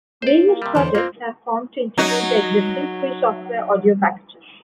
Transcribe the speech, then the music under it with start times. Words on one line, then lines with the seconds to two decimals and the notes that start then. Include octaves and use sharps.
Various projects have formed to integrate the existing free software audio packages.
0.22 F2 C5 D5
0.48 A#3
0.62 C3 G3
0.75 E2 D3 E3 C5
0.95 A#3 C4 F4
1.98 F#3 D#4 F#4